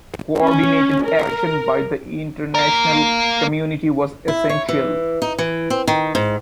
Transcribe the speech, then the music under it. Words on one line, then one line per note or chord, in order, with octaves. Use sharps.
Coordinated action by the international community was essential.
C#4
A#4
A#3 A#4
E4
C#5
E3
D#4
E3
C4
D#3
G#2